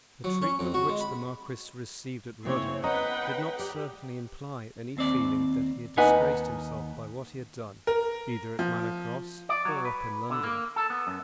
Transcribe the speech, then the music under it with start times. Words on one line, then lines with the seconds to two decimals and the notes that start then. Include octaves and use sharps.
The treatment which the Marquis received at Rudham did not certainly imply any feeling that he had disgraced himself by what he had done either at Manor Cross or up in London.
0.24 F#3
0.42 C#4
0.59 F2
0.74 F#4
0.89 G#3
1.00 B5
2.45 C#3 A#3 C4 E4 C#5
2.84 B3 C#4 B4 D#5 F#5 G5 A#5 D#6
3.59 G4 D5
4.97 D#2 C4 D5
5.97 D#2 D#3 D#4 B4 F#5 G#5
7.87 A#4
8.59 F3
9.49 D5
9.65 F#3
9.85 B4
10.30 D3
10.44 A#3
10.76 A4
10.90 B3
11.07 F#2